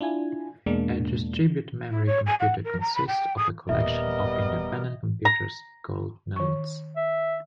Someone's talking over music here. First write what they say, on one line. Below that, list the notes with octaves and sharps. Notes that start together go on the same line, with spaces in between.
A distributed memory computer consists of a collection of independent computers, called nodes.
D4 E4 F4 G#5
E2 B2 G#3 A#3 D4
E4
C#5
G#5
F#5
A#4
A#5
B5
G5
D#6
D#1 G3 B3 A#4 D#5 E5
A#5
D#3 C#6
E5